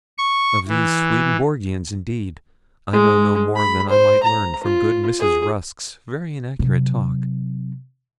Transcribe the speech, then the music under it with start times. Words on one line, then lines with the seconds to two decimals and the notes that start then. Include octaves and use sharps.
Of these Swedenborgians, indeed, I know no more than I might learn from good Mrs. Rusk's very inaccurate talk.
0.18 C#6
0.68 E3
2.93 G#3
3.56 B5
3.89 C5
4.23 A#5
4.63 F4
5.19 G#4
6.59 C3 F#3